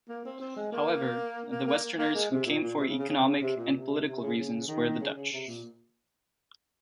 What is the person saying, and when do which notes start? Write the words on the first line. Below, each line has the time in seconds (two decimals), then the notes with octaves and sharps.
However, the westerners who came for economic and political reasons were the Dutch.
0.09 A#3
0.25 C4
0.40 C4
0.57 G#3
0.72 A#3
1.51 A#3
1.67 A#3
1.99 A#3
2.15 G#3
2.31 C3
2.46 A#2
2.62 A#2
2.78 C3
2.88 C#3
2.99 C#3
3.09 C#3
3.26 C#3
3.41 C3
3.57 A#2
3.74 C3
4.05 C3
4.21 C#3
4.37 C#3
4.68 D#3
5.00 C#3
5.15 C#3
5.32 C3
5.47 A#2